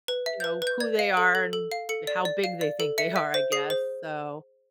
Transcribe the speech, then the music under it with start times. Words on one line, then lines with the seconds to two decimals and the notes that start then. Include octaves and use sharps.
you know, who they are, and how big they think they are, I guess, so
0.08 B4
0.26 E5
0.40 B4 G6
0.62 B4 G6
0.80 D5 G#6
0.99 F5
1.17 A4
1.35 A4
1.53 A4
1.72 F5
1.89 A4 C#7
2.07 D5
2.25 D5
2.44 F5
2.61 D5
2.80 A4
2.98 E5 C#7
3.16 E5
3.34 C5
3.52 G#4 C7
3.70 C5